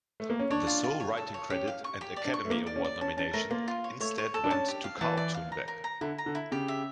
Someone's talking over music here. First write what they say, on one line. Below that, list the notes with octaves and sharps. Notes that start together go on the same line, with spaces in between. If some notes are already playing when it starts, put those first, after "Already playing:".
The sole writing credit and Academy Award nomination instead went to Karl Tunberg.
A3
A#3
C#4
D4 C#5
F4
F4
C#5
A4
C#5
C#4 G4
F5
C#6
G4
D5
D4
C#6
A3
A#3 D6
D5
C#4
D5
C#4 A5
C#4 A5
A3 A#4
A#3 F4
F4
C#5
A3 C#5
C#5
A4
D4
C#4 A5
G4
F5
E3 A5
D5
F5
A#5
A#4
A#5
D3 E4
A#5
D3
E4
C#3 G4
E5